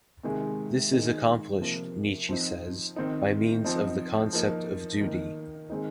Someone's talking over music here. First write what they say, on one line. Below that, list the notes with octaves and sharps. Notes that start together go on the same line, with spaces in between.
This is accomplished, Nietzsche says, by means of the concept of duty.
C3 D#3 G#3
D#3 G#3 D#4
C3 F3 A#3
F3 C4 D#4
D#3 C4 D#4
F3 C4 D#4
F3 A#3 D#4
D#3 A#3 D#4
D#3 G#3 C4 D#4